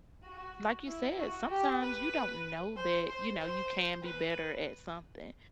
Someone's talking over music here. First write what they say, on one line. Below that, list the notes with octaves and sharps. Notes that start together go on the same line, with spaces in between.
like you said, sometimes you don't know that, you know, you can be better at something,
F#4
E4
F#4
G4
B4
C5
C5
C5
B4